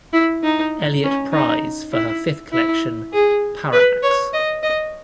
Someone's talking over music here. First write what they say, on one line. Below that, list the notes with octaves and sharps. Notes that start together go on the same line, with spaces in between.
Eliot Prize for her fifth collection "Parallax".
E4
D#4
C#4
D#4
E4
E4
G#4
B4
C#5
D#5
D#5